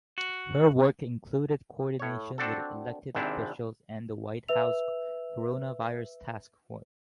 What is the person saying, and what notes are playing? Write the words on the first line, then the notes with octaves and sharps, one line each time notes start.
Her work included coordination with elected officials and the White House Coronavirus Task Force.
F#4
A2 C#5
C4 D4 F#4 A4
G#1 G#2 C3 C4 D4 E4
B4 E5 E6 F7